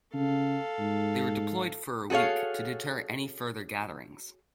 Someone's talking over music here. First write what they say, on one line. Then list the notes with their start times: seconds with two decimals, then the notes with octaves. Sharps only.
They were deployed for a week, to deter any further gatherings.
0.14 C#3 A4 F5
0.79 G#2
2.10 F#4 G#4 A4 C#5 F5